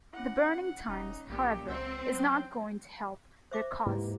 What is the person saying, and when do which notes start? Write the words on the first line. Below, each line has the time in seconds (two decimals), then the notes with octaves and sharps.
"The Burning Times", however, is not going to help their cause.
0.13 C#4 E4 F#5
0.88 E1 C#4 D#4
1.30 A#1 A#2 G4
1.69 C#2 C4 C5 F#5 E6 G6
2.15 F#3 G5 C6 G6
3.51 C5 E5 D6
3.86 G#2 A#3 E4 G4 B4